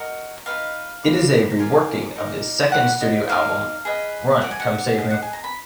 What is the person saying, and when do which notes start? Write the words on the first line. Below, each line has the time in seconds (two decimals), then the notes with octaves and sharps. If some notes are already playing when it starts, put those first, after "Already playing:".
It is a re-working of his second studio album, "Run Come Save Me".
Already playing: F#4 A#4 D#5
0.46 D#4 F#4 B4 D#5 F5
1.03 F4 B4 D5
1.50 A#5
1.59 F4 A#4 D5 G#5
2.16 D#4 A#4 D5
2.72 F#4 B4 D5 F#5
3.01 D#5
3.29 D#4 A#4 D5 F5
3.85 G#4 B4 D#5
4.42 F#4 D5 F#5
4.51 G#5
4.60 F#5
4.99 G#4 D#5
5.10 F#5
5.22 G#5
5.33 A#5
5.44 B5